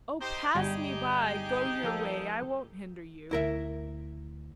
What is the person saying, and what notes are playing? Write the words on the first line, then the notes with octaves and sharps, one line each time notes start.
"Oh, pass me by, go your way, I won't hinder you!..."
D#4 G4 C5
G1 G3 D#4 G4 G#4 G#5
F3 A#3 A4
D2 E4 A#4 E5